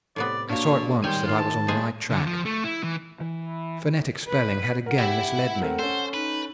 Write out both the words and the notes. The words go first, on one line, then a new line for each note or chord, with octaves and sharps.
I saw at once that I was on the right track; phonetic spelling had again misled me.
A2 C3 B3 D5
A#2 D4 F#4 C#5 F5
D#3 G3 C#5 G5 G#5 C6
G#2 D#3 F4
A5
B1 A#2 G#3 G#4 C5
D3
F3
A3
E4
E3
E3
B4
A#4 F#5
E4 G4 E5
A3 C4 A#4
C#4 A4 C5
D#4 B4